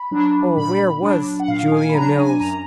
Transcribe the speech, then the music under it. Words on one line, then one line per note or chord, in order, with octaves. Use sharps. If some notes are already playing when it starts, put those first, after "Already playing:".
Oh, where was Julia Mills!
Already playing: B5
F#3 D4
A#2 B5
F#3 D4
F#5
A#2 F5
G#5
B5
F#3 D4 A#5
G#5
F#2 A#5